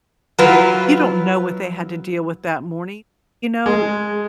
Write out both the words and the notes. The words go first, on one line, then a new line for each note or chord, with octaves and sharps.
you don't know what they had to deal with that morning. You know,
F#3 E4 F4 B4
G#3